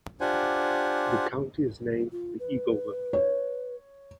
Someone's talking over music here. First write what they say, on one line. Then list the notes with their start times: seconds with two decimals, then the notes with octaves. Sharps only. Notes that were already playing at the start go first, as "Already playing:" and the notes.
The county is named for the Eagle River.
0.21 D4 F4 G4 C5 F#5 G#5
2.12 F4
2.40 B4
3.13 C#5